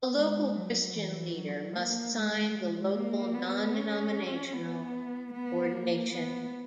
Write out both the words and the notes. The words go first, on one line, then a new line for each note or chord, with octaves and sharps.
A local Christian Leader must sign the local non-denominational ordination.
G#3
F#3
E3
F#3
A#3
G#3
G#3
A#3
B3
C#4
B3
B3
A#3
B3